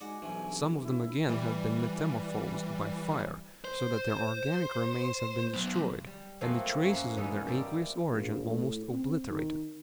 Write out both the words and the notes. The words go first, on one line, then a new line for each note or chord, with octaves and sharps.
Some of them again have been metamorphosed by fire, so that their organic remains have been destroyed, and the traces of their aqueous origin almost obliterated.
G#2 F#4 D5 G#5
B1 G2 E3 D4 G#5
C3
E1 E4
E3 G3
C5
F#3 B3
G3
F2 F#3 A3 A#3 C4 G#5
F#2 A#3 C#5 F#5 C6
E2 G#2 G3 C#4 D#4 E4
G3 E4 A#4 C5 D5 D#5
A#1
A2
C4
D#3